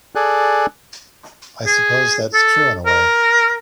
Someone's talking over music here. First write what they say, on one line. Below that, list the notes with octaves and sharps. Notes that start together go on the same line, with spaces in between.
I suppose that's true in a way.
G#4 A4 D5 G#5 F#6
G#4
A4
A#4